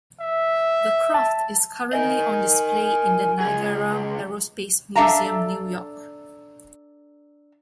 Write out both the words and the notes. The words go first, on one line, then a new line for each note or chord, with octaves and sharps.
The craft is currently on display in the Niagara Aerospace Museum, New York.
E5
A5
A#4 D#5 G#5
C#2 G#4
D4 A4 E5 F5 A5 A#5